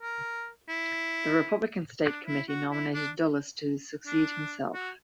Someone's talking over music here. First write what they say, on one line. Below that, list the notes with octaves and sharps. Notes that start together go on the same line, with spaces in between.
The Republican State Committee nominated Dulles to succeed himself.
A#4
E4
D4
E4
F#4
E4
D4
D4
F#4